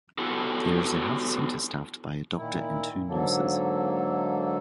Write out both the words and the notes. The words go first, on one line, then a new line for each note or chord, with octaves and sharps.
There is a health center staffed by a doctor and two nurses.
B3 E4 F#4 G4 A4
A#2 D#3 E4
G#2 D3 F#3 A#3 A4